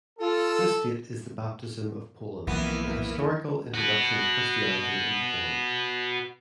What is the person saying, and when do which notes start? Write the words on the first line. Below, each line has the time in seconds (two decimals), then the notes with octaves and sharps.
This date is the Baptism of Poland, the historical introduction of Christianity in Poland.
0.19 F4 A4
2.47 B1 F2 E3 A#3 B3 E4 A#4
3.74 F#4 B4